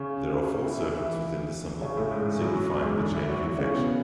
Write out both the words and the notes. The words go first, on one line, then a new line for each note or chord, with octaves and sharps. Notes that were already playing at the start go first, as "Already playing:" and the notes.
There are four circles within the symbol, signifying the chain of infection.
Already playing: C#3 C#4
E3 E4
E3 E4
E3 E4
C#3 C#4
A2 A3
G#2 G#3
E3
F#2 F#3
E2 E3
G#2 G#3
D3 D4
E3 E4
F#3 F#4
E3 E4
C#3 C#4
B2 B3